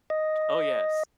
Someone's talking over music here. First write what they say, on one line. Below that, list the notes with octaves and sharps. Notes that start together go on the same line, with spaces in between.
Oh, yes."
D#5